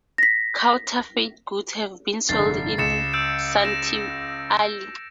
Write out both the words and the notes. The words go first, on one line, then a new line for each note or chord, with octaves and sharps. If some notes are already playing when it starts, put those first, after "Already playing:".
Counterfeit goods have been sold in Santee Alley.
A#6 B6
F1 G2 D3 A6 C7
C#2 A6 C#7 E7
E6 G6 D7
A#6 E7